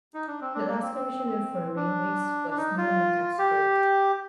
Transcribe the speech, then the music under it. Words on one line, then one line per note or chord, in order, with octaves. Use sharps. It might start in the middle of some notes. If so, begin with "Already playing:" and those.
The last Commissioner for Railways was Neil McCusker.
D#4
D4
C4
D4
A#3
C4
C4
D4
D4
D#4
F4
G4